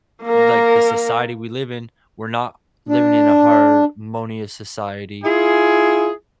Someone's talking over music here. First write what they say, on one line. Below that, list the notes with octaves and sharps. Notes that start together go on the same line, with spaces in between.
like the society we live in, we're not living in a harmonious society.
A#3 A#4
D4
E4 F4 G#4